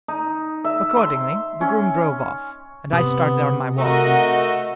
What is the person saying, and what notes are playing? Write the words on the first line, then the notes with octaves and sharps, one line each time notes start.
Accordingly the groom drove off, and I started on my walk.
D#4
E5
C6
C#4
C3 B3
A3 F#4 A#4 D#5